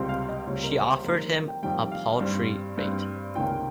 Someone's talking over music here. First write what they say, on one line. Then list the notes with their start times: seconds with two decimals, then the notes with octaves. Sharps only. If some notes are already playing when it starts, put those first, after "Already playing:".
She offered him a paltry rate.
Already playing: C#2 C3 G3 C4
0.09 F5
0.29 D#5
0.47 C#2 C3 G3 C4 C#5
0.63 A#4
0.76 C5
0.91 C5
1.05 F2 A#4
1.08 D#3 G3
1.19 A#4
1.33 A#4
1.48 G5
1.63 F2 D#3 G3 G5
1.92 F5
2.21 G2 G3 C4
2.78 G2 G3 C4
3.35 C#2 C3 D#3 A#3 C#4 G5